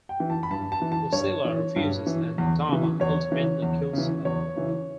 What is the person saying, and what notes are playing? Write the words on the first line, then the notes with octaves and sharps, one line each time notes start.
Lucilla refuses, and Dama ultimately kills her.
G5
E3
A5
B5
G2 A5
A5
E3
A5
G2 C#5
E3
G2
E3
E2
C#3 E3
E2 C#5
C#3 E3
E2
C#3 E3
E2 C#5
C#3 E3